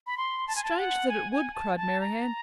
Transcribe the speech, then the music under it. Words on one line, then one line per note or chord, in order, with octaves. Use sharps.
"Strange that it would!" cried Marianne.
B5
C6
A5
G#5
A5
F#5
G#5
G#5
A5
A5
A#5